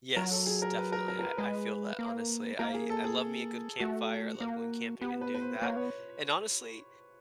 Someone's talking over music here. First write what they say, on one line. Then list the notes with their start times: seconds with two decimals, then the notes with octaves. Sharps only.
Yes, definitely, I I feel that, honestly, I I love me a good campfire, I love going camping and doing that. And honestly,
0.17 F#3 A#4
0.31 A4
0.46 G#4
0.62 A#4
0.78 B4
0.92 A#4
1.08 A#4
1.19 A#4
1.22 B4
1.38 G#3 B4
1.99 A#3
2.59 A#3 A#4
2.74 G#4
2.90 A4
3.04 G#4
3.80 A3 F#4
4.41 A#3
5.01 B3 G4
5.21 B4
5.34 B4
5.41 C5
5.62 A#3 C#5
5.76 B3 C#5